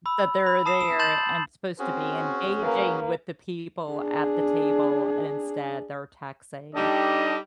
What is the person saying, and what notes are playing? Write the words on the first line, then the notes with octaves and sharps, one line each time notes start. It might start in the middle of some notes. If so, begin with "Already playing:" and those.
But they're there and supposed to be engaging with the people at the table, and instead they're texting.
B5 E6
B5
A5 D#6 C7 E7
E7
A5 C6 G6 A6 E7 F#7
C4 C#4 F#4 G#4
A#3 B4
D4 G#4
G3 D4 D#4 G4 A4 D#5